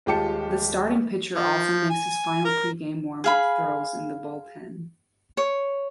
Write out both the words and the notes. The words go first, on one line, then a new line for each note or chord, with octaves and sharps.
The starting pitcher also makes his final pregame warm-up throws in the bullpen.
D#1 G#3 F4 G4 A5 C#7
F3
G#5
A#4
G#4 F5 B5
C#5